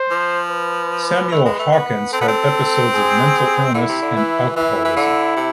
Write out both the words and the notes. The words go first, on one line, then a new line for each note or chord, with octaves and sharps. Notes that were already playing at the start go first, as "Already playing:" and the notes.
Samuel Hawkins had episodes of mental illness and alcoholism.
Already playing: C5
F3
B4
A3
G#3
A3
B3
C4 A4
B3
C4
G#4
D3 E4
C3
D3
E3
E3 E4
E3
D3
C3